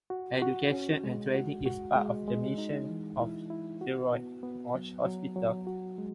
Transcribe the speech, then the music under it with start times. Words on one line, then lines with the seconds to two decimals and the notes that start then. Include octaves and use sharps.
Education and training is part of the mission of Jeroen Bosch Hospital.
0.10 F#4
0.42 F#4
0.72 C#4
1.04 G#3
1.34 F#4
1.66 F#4
1.95 G#3
2.28 G#3
2.58 D#4
2.89 E3
3.20 E4
3.50 E4
3.81 F#4
4.13 B3
4.43 B3
4.75 F#3
5.05 F#3
5.36 F#3
5.67 F#4
5.98 G#3